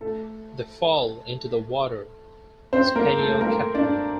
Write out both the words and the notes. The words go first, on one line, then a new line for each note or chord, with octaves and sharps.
They fall into the water spaniel category.
A3 A4
C4 C5
A#3 A#4
A3 A4
A#3 A#4
D4 D5